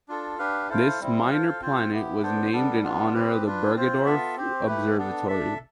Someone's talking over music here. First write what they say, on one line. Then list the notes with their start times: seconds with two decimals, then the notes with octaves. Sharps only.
This minor planet was named in honor of the Bergedorf Observatory.
0.08 D4 F4 A4
0.39 D4 G4 B4 F5
0.69 E4 A4 C5 F5
1.00 G3 C4 E4
1.30 F4 A4 C5 F5
1.61 C4 F4 C5
1.91 B3 E4 G4
2.22 B3 D4 A4 C5
2.53 G3 B3 D4 A4
2.83 B3 D4 F4
3.14 C4 G4 B4
3.44 D4 F4 B4
3.75 C4 F4 C5
4.05 B3 F4 A4 E5
4.36 C4 G4 C5
4.66 A3 E4 G4 B4
4.97 B3 D4 A4
5.28 D4 A4 E5